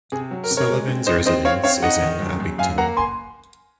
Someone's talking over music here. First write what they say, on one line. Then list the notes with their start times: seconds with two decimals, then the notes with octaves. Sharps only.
Sullivan's residence is in Abington.
0.12 C3 G#4
0.31 F#3
0.44 A#4
0.51 C3
0.57 A#4 C#5
0.69 G#3
0.88 C4
1.07 C4 C5 D#5
1.26 C4 C5 D#5
1.45 C4 C#5 F5
1.64 C4 C#5 F5
1.83 D#4 D#5 F#5
2.02 D#3
2.21 F#2
2.40 F#2
2.58 F#2 F5 G#5
2.78 A#3 F#5 A#5
2.97 G#5 C6